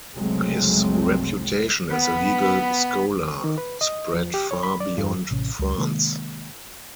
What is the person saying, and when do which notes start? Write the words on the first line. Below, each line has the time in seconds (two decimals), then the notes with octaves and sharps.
His reputation as a legal scholar spread far beyond France.
0.14 F#1 C2 F#3 G#3 A3 C4
1.91 B3 B5
3.44 D#3
3.58 B4
3.81 D#5
4.14 F3
4.34 G4
4.51 C#5
4.63 B5
4.80 D5
4.98 G2
5.31 A1 C3 C#4
5.59 C#2
5.78 C3 D#3 G#3 A#3